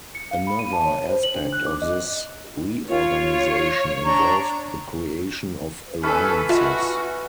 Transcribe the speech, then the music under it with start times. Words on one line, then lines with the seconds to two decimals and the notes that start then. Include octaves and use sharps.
Another aspect of this reorganization involved the creation of alliances.
0.15 C#7
0.31 F5
0.47 B5
0.59 D#7
0.73 A5
0.85 C#5
1.09 C5
1.23 F#7
1.35 D4
1.53 F#6
1.66 D6
1.82 D#5
2.89 F4 C#5
4.04 D4 A#5 C#6
6.03 E3 C#4 A4 B4
6.49 F4 F#4 D#5 E5